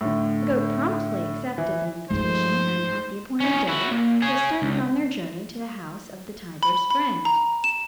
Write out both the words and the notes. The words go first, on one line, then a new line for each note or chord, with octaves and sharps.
The goat promptly accepted the invitation and at the appointed day they started on their journey to the house of the tiger's friend.
A2 D3
E3
G2 F3 G#3 A3 D#4 C5
C#4 D#4
E4 F#4
A#2
G#4 C#5
C#2
B5
B5
A#5
E7